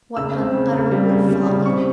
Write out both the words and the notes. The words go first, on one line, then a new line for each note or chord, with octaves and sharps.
What unutterable folly!
C#3 E6
C4
C#3
C#3
G3
C#3
G3
C#3
C4 C#6